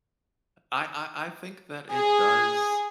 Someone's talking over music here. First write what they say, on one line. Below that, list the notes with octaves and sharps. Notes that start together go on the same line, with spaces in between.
I I I think that it does
G#4